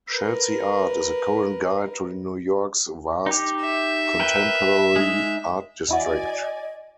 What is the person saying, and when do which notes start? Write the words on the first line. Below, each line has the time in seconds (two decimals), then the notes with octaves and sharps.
Chelsea Art is a current guide to New York's vast contemporary art district.
0.10 A#4 B4
3.26 D#4 G4
3.62 E5
4.20 A#4 B4 G5
4.96 G#3 D#4
5.89 E2 E4 F#4 D5 D#5 G#5